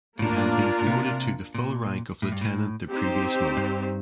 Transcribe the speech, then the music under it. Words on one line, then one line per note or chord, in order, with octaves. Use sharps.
He had been promoted to the full rank of lieutenant the previous month.
A2 A#3 D4 F4 A#4 D5
C3
A#2
A2
G2
A2
C4 D#4 G4 C5
G2